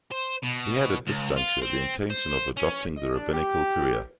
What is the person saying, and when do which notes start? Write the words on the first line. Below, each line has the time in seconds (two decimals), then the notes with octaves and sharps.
He had at this juncture the intention of adopting the rabbinical career.
0.11 C5
0.43 B2
1.07 C#2
1.36 F4
1.62 C4
2.10 C5
2.57 C#4
2.97 D#5
3.14 D4
3.32 G4